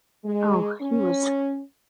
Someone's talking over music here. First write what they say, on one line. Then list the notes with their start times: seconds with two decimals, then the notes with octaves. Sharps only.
Oh, he was
0.25 G#3
0.82 C#4